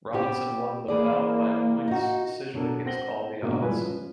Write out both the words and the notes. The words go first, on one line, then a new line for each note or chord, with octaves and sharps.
Robinson won the bout by a points decision against all the odds.
B3 C4 G4
E3 A#3 G#4 D5
D#4 F#4
B2 F#3 D4 A4 A#4
C4 C5 F#5 A#6 F#7 G7
G#2 B2 D3 F#3 A#3
A#2 G3 G#3 E4 B4 G#5
F3 C#4